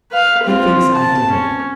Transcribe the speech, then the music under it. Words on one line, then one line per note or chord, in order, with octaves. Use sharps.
He thinks I did it.
B4 F5
C4 F4
A5
C#4